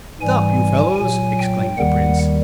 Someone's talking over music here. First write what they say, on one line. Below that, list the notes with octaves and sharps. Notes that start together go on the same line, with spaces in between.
"Stop, you fellows!" exclaimed the prince.
G#2 E3 G3 G#5
A#2 F#3 G#5
G5
D#2 D#3 G3 F#5